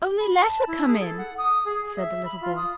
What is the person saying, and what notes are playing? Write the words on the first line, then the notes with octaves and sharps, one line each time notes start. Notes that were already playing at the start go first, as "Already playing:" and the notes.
"Only let her come in!" said the little boy.
B5
A5
E4
G#4
A4
F#5
D#6
G#4
E5
B5
F4
D#6